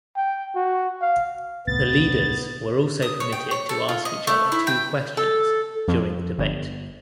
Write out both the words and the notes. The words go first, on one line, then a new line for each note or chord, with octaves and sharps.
The leaders were also permitted to ask each other two questions during the debate.
G5
F#4
F5
D#1 C2 A2 B3 A6
D#6
C#5
G5
C#5
A4
F4
D#5
A3
E4
G5
A4
F2
G1